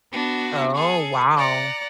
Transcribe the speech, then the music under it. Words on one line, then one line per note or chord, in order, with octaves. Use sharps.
Oh, wow.
B3 D4 F#4
G#4 A4
D5 F#5 A#5